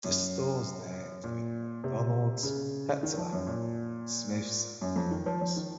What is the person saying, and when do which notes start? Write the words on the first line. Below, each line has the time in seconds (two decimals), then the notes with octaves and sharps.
The stores there include McDonald's, Pets at Home, Smyths and Currys.
0.04 F#2
1.24 A#2
1.84 C3
2.43 C#3
3.03 D#3
3.18 F3
3.32 F#2
3.47 A#2
4.81 F#2
4.96 F2
5.11 D#3
5.26 F3
5.41 F3
5.56 D#3